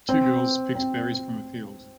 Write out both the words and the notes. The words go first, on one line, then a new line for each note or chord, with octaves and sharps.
Two girls picks berries from a field.
C4
C4